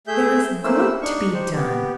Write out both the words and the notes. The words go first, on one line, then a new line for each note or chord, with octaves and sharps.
There is good to be done!
A3 G#4 E5 G6
A3 A#3 C#4 E4 C5 E6
D4 D#4 C#6
D#4 G4 C5
B3 G4